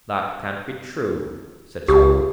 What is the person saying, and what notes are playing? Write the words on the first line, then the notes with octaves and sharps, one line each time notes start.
'That can't be true,' said his father.
C#2 G4